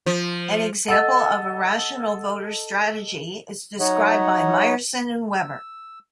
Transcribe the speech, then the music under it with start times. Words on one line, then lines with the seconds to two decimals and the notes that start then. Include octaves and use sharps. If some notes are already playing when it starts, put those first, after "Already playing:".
An example of a rational voter strategy is described by Myerson and Weber.
0.06 F3
0.88 A4 D#5 F#5 E6 A6
3.80 F#3 D#4 C#5 D#5 F#5
5.33 E6